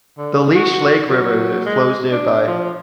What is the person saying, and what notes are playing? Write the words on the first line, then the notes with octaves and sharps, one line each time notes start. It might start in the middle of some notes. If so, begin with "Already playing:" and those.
The Leech Lake River flows nearby.
D3
F#4
F#3
G#3
D4
F3